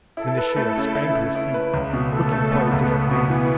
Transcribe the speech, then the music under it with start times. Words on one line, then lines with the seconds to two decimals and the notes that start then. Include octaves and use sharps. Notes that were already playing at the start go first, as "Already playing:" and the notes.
Then the Sheriff sprang to his feet, looking quite a different man.
0.17 E4 A4
0.37 B4
0.56 A3 E4
0.77 C#3
0.95 E4
1.15 E4
1.35 E4
1.54 B4
1.74 C#2
1.93 B2
2.12 A3 A4
2.32 A3
2.52 A3 B3
2.72 C#2
2.91 A3 B3
3.11 B2
3.30 E3